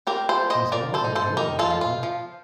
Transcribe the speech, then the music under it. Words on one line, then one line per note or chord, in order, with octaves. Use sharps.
She's more than a little haunted.
C4 G4 A#4
A4 C5
F3
C5 D#5
F3 A#4 D5
A4 C5
D#4
A4 C5
D#4 G4 A#4
F4 A4
F3
F4
F3